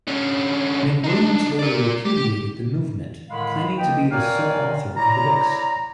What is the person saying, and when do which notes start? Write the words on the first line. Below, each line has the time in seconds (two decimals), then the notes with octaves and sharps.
McWilliams later repudiated the movement, claiming to be the sole author of the books.
0.07 D3 C#4
1.04 D4 D#4
1.59 A#4 D5
2.06 G4
3.30 A2 D3 D#3 G#3 F5 B5
3.78 A#3 B4 D#5 G5
4.11 A#4 C#5 D5 F5 G5 G#5
4.97 E4 C#5 D5 A#5